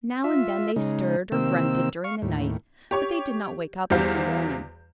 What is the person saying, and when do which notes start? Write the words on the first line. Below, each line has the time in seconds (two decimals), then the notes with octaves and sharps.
Now and then they stirred, or grunted during the night, but they did not wake up until morning.
0.24 F4 E5
0.76 C#3 G#3 D#4
1.32 C3 D#3 A#3 C4 E6
2.04 F5 C#6
2.22 D#2 A2
2.91 G4 C#5 C#6
3.90 E2 G3 F#4 C5 F5 G6